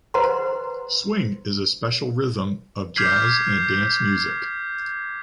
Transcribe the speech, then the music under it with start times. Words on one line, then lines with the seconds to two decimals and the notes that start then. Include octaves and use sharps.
Swing is a special rhythm of Jazz and dance music.
0.14 B4 C5 F#5 A#5 C6
2.96 D6 F6 G6 G#6 B6 C7